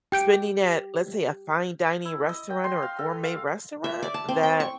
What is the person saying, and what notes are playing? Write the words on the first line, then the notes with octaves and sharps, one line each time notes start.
spending at, let's say, a fine dining restaurant or a gourmet restaurant that
G4 G5 G6 D7
E4
D#5
G5
C6
F5
A4
F5
E5
D5
A5
C4
G5
C#6